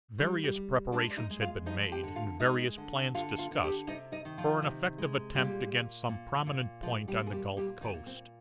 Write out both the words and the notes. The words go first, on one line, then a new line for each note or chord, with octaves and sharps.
Various preparations had been made and various plans discussed for an effective attempt against some prominent point on the Gulf coast.
D#3 G3 D#4
G3 G4
G3
G#3 D4 D5
D5
D#4 D#5
G#3
F4 F5
F3 D#4 D#5
G4 G5
D3
F4 F5
G#3 D#4 D#5
D3
D3 F4 F5
F4 F5
D3
G4 G5
C3 D#4 D#5
D#4 D#5
D#3
F3 F4
C3
G#3
A#2 G3 G4
A#2
A#2
A#2
F3 G#3 F4
G3 G4
A#2
G#4
G3 G4
A#2 G3 G4
D#3 D#4
A#2
C4